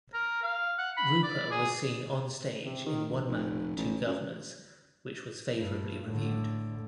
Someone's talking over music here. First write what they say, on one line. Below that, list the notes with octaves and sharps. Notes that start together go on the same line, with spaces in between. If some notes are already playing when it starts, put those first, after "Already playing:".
Rooper was seen on-stage in "One Man, Two Guvnors", which was favourably reviewed.
A#4
F5
F#5
B5
D5
G#4
C3
D#3
A#1
F1
A1
F#2
G2
A2 D3